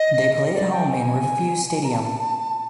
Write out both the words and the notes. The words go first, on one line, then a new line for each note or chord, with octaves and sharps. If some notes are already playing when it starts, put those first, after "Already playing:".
They play at home in Riverview Stadium.
Already playing: D#5
D#5
D5
G5
G#5
A#5
A5